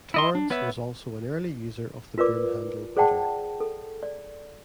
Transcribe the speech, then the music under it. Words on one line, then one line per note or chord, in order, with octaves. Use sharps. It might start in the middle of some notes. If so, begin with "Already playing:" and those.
Torrance was also an early user of the broomhandle putter.
E4 D#5 C6
D4
B3 B4 C#5 E5
F4 A#4 B4 D5 D6
G#4 C5 D5 F#5 G5 A5
A4
D5